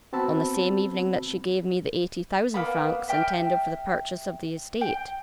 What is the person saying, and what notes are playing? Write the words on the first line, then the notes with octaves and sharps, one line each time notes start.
"On the same evening that she gave me the eighty thousand francs intended for the purchase of the estate."
B3 C4 F#4 A5 B5 E6
A#3 B3 B5
E5 G5 F6
G5